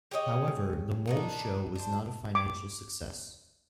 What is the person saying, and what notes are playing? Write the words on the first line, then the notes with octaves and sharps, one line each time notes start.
However, the Mole Show was not a financial success.
G4 G#4 C#5 D#5
D#3 D4 D#4
D4 C5
D6